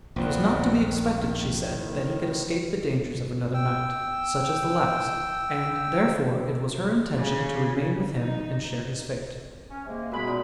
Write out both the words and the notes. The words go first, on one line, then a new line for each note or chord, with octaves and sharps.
It was not to be expected, she said, that he could escape the dangers of another night, such as the last; and therefore it was her intention to remain with him, and share his fate.
A#1 D#2 A#2 B3 C4
D#3
A2 D#3
G5 E6
C#3
D#4
C#4
C3 G#3 A#3
F#2 B2 G#3 B3 B5
A#2 D#4